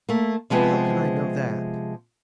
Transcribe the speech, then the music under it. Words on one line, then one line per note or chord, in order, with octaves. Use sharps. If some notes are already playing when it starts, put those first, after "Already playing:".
"How can I know that?"
A3 A#3
C3 F3 G#3 B3 B4 C5